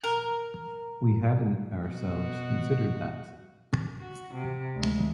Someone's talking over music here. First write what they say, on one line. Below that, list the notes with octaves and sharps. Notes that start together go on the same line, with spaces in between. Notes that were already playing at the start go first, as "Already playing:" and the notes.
We hadn't, ourselves, considered that.
A#4
B2 F#4
F#4
C3
D2 G#3